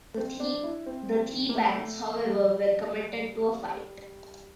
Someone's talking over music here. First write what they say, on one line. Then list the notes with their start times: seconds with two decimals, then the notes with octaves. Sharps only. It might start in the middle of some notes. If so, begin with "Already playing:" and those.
The Thebans however were committed to a fight.
0.17 C4
0.40 D4
0.63 E4
0.86 C4
1.49 A#3
1.55 A3
2.25 G3